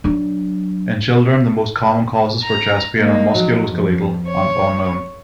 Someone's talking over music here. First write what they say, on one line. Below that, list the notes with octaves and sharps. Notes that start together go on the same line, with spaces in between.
In children the most common causes for chest pain are musculoskeletal and unknown.
F#3 D4
A#5
G#3 A#3 D#4
F3 F#3
F2
C#5